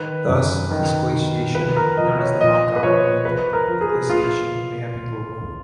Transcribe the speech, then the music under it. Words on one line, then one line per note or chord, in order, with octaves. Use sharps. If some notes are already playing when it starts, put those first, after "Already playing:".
Thus, this glaciation, known as the Makganyene glaciation, may have been global.
Already playing: D#3 B4
F#2
D#3
D#3
F3 B4
A#4
F3 D#5
C#5
F3 D#5
B4
F3 C#5
F3 B4
A#4
F3
G#4
F4